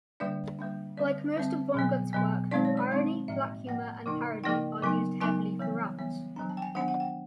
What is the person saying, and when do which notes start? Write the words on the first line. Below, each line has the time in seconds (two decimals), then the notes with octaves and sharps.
Like most of Vonnegut's work, irony, black humor and parody are used heavily throughout.
0.20 D3 G3 A#3 D4 D5
0.59 D3 G3 A#3 D4
0.97 D3 G3 C4 D5
1.36 D3 G3 C4
1.74 B2 F#3 B3
2.13 B2 F#3 B3
2.51 D#3 G#3 C4 D#4 D5
2.65 C#5
2.77 D5
2.90 D#3 G#3 C4 D#4
3.28 A2 F3 A#3 E5
3.67 A2 F3 A#3 F#5
4.06 C#3 F3 A#3 D#4
4.44 C#3 F3 A#3 D#4 G5
4.82 C#3 F#3 B3 D#4
5.21 C#3 F#3 B3 D#4 G#5
5.59 E3 G3 B3
5.99 E3 G3 B3
6.36 D#3 F#3 B3 D4 A#5
6.49 A5
6.57 G5
6.62 G#5
6.75 D#3 F#3 B3 D4 F#5
6.88 F#5
7.00 G5